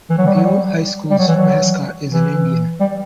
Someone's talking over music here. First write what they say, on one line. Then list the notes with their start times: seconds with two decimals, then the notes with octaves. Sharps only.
Buhl High School's mascot is an Indian.
0.10 E3
0.18 F#3
0.26 G3
0.35 F#3
0.44 G3
1.10 G3
1.19 F#3
1.28 E3
1.36 F#3
2.12 E3
2.80 G3